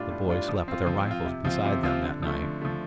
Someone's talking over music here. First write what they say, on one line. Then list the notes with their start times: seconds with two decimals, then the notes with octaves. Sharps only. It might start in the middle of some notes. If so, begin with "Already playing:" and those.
The boys slept with their rifles beside them that night.
Already playing: A2 G3 D4 F4
0.10 A2
0.28 G3 D4 F4
0.49 F3
0.68 C4 F4
0.87 F3
1.06 C4 F4
1.25 C3
1.45 F3 C4 F4
1.65 C3
1.83 F3 C4 F4
2.03 D3
2.22 F3 A3
2.42 D3
2.62 F3 A3